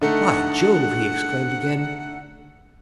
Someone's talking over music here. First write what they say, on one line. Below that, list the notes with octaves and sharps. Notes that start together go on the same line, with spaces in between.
"By Jove!" he exclaimed again.
D3 A3 D#4 F#5